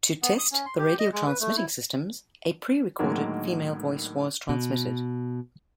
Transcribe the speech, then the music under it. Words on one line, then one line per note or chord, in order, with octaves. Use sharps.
To test the radio transmitting systems, a pre-recorded female voice was transmitted.
B3
D#6
C#4
C6
G4
D#5
G#3
B4
A3
E4
A2 D3 D#3 F#3 G#3 A#3
B2